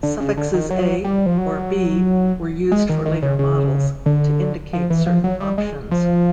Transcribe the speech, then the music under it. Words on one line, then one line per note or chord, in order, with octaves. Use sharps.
Suffixes "A" or "B" were used for later models, to indicate certain options.
D3
C#3
D3
D#3
F#3
G3
F3
F#3
G#3
D#3
D#3
C#3
C#3
D3
F3
E3
F3
F#3
G3
G#3
F3